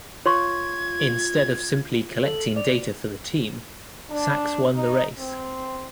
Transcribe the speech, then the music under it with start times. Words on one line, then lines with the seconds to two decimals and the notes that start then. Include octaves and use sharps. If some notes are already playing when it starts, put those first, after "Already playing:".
Instead of simply collecting data for the team, Sacks won the race.
0.26 F4 C#5 C6 C#6 G#6
2.25 A4 F#7
2.56 D5 F7
4.10 D4
4.74 D#4
5.18 C4